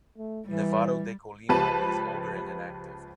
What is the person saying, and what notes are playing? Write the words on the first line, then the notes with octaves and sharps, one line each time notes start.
Nevado de Colima is older and inactive.
A3
E3 G3
C#2 F3 G4 B4 A5 D#7